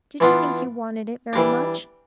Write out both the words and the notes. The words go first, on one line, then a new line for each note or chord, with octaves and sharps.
'Did he think you wanted it very much?'
E3 B3 D4 F4
E3 G3 D4